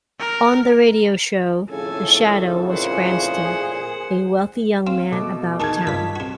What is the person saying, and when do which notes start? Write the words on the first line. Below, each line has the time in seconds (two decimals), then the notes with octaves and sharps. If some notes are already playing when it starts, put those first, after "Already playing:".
On the radio show, The Shadow was Cranston, a wealthy young man about town.
0.19 A#4
1.71 F2 A2 C#3 A4 G#5
2.71 A#2 G#4 C5 F#5
4.87 C4 F5
5.12 B2 A3 D6
5.60 D#3 D#4 G#4 A5 G#6
5.87 G2 F4 B4 B6
6.16 C3 F#4